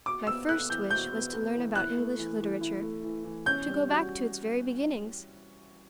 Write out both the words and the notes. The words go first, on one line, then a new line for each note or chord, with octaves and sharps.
My first wish was to learn about English Literature, to go back to its very beginnings.
F#4 D6
B3 E6
A4 F#6
E3 G6
F#4 G6
B3
A4
E3
E4 F#6
A3
E3
E3
E4
A3
E3
E3
C#4 G6
G3
F#4